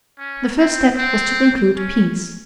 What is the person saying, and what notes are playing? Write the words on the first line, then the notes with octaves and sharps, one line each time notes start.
The first step was to conclude peace.
C#4
C4
C4
C#4